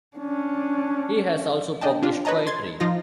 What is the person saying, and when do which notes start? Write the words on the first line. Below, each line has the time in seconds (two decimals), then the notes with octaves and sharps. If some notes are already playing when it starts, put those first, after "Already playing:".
He has also published poetry.
0.17 C#4 D4
1.81 D4 D#5 G5 A5
2.03 D4 F4
2.25 B4 C#5 D#5 A5 A#5
2.47 C6 G#6 A6
2.80 F3 D#4 F4 A#6